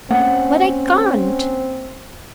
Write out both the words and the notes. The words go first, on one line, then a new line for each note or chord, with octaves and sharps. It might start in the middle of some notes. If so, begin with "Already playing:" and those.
But I can't.
A#3 C4 C#4 F#5